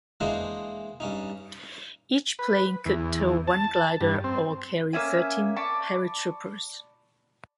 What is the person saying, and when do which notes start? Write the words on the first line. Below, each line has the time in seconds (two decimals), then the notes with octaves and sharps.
Each plane could tow one glider or carry thirteen paratroopers.
0.20 E3 G#3 A#3 D4 C5 D#5
1.00 G2 C#4 D#4
2.39 B4
2.86 E2
3.47 A5
4.01 G2
4.24 C4
4.93 A#3 C#4 E5 G#5
5.56 D5 A5 B5 C#6